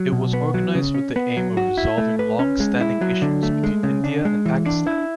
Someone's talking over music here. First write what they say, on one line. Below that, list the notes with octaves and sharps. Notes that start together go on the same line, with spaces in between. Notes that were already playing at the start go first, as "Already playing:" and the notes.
It was organized with the aim of resolving long-standing issues between India and Pakistan.
Already playing: F#3
B2
B3
F#3
C#3
C#4
B3
F#3
F#4
E4
A3
B4
C#4
G#3
E4
F#3
D3
A3
G#3
C#3
D4
G#3
E3
D4
E4